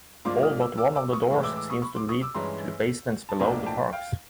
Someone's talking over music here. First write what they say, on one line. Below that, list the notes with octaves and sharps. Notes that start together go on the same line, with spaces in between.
All but one of the doors seem to lead to basements below the parks.
G#2 F3 A#3 D4 F4 C6 D6
D#6 F6
D6 E6
D6 E6
D6 E6
C#6 D#6
A2 E3 G#3 B5 C#6
D6 E6
D6 E6
C#6 D#6
B5 C#6
C6 D6
C#6 D#6
D6 E6
G2 E3 G#3 C#4 A#5 C6
A5
B1 A2 F3 A#3 D4 G#5 A#5
G5 A5
F5 G5